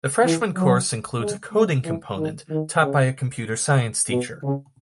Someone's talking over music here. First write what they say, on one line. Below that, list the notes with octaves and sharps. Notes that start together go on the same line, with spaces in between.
The freshman course includes a coding component taught by a computer science teacher.
E3
F#3
G#3
G#3
E3
D#3
D#3
C#3
B2
C#3